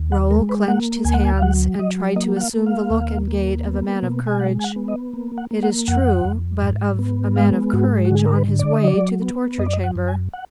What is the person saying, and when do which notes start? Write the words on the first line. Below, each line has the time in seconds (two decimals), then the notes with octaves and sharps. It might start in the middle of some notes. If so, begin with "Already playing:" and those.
Raoul clenched his hands, and tried to assume the look and gait of a man of courage, it is true, but of a man of courage on his way to the torture chamber.
Already playing: D#2
0.12 F#5
0.31 G#3 A#4
0.49 B4
0.68 A#3 F#5
1.05 D2 G#5
1.14 F#5
1.25 G#5
1.38 F5
1.42 F#3 F#5
1.79 F#3 D#5
2.16 A#3 D#5
2.37 F#5
2.41 F5
2.53 A#3
2.66 F5
2.90 D#2
3.27 A#3
3.65 B3
4.02 B2
4.27 G#5
4.39 G#3 F#5
4.59 G#5
4.64 F#5
4.76 B3
4.88 D#5
5.14 A#3
5.38 F#5
5.51 A#3
5.63 F#5
5.88 F2 F#5
6.25 F2
6.62 G#2
6.99 B3
7.36 G#3 F5
7.73 G#2 F#4
8.05 F#4
8.11 D3 G#4
8.26 A#4
8.35 B4
8.48 D3
8.59 D5
8.74 D#5
8.85 F#3 D5
9.22 B3
9.58 F#2 D#5
9.66 D5
9.73 D#5
9.84 F#5
9.96 F#2
10.08 G#5
10.33 F#5